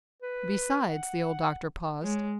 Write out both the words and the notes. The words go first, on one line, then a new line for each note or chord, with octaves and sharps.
"Besides," the old doctor paused.
B4
F#5
G#3 C#5